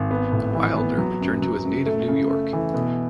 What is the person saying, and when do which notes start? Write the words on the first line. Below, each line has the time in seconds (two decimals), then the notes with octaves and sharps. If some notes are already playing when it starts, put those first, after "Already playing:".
Wilder returned to his native New York.
Already playing: G#1
0.11 B3
0.32 A2
0.55 E3
0.77 B3
0.98 F#3
1.21 F#2
1.42 F#3
1.65 F#2
1.86 A3
2.08 C#3
2.30 A3
2.53 E3
2.74 B2